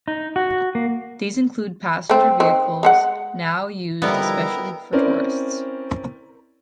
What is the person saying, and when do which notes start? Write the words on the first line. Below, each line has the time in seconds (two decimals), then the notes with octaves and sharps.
These included passenger vehicles, now used especially for tourists.
0.08 D#4
0.36 F#4
0.75 A#3
2.09 A3 C4
2.40 D#3 C4
2.83 G#3 A4 F#5
4.02 D3 F3 G3 B3 E4 A#4 D#5 G5
4.93 C4 C#4 E4 A#4 D5